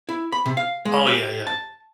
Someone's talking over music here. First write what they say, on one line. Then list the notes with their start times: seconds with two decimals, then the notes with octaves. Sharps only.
Oh, yeah, yeah.
0.09 E4
0.32 B5
0.46 C3
0.57 F5
0.85 G#3
1.07 G4
1.47 A5